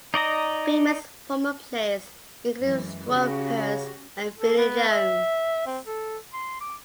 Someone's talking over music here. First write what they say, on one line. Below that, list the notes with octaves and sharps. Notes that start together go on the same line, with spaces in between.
Famous former players include Stuart Pearce and Vinnie Jones.
D#4 D5 D#5 A#5
F#2 E3 G#3
C#3 C#4 F#4 G4
A4
B3
E5
C4
A4
C6
D6